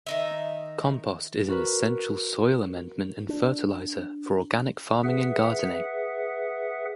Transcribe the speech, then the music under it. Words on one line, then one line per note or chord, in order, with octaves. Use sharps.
Compost is an essential soil amendment and fertilizer for organic farming and gardening.
D#3 D#4 E5
F#4 A#4 B4
D4
G#4 B4 E5 F#5